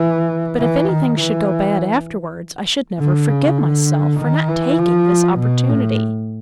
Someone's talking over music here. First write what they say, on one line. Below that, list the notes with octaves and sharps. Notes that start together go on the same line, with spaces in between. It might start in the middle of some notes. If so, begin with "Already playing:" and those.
But if any thing should go bad afterwards, I should never forgive myself, for not taking this opportunity.
Already playing: E3
E3
D#3
E3
D3
C#3
D3
D#3
E3
F3
B2
A2